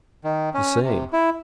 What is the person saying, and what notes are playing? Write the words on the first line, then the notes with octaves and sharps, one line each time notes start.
"The same."
D#3
C#4
C3
E4